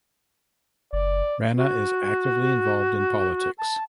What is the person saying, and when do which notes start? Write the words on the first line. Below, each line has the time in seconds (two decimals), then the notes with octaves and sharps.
Rana is actively involved in Politics.
0.93 F#1 D5
1.56 F#4
3.58 A5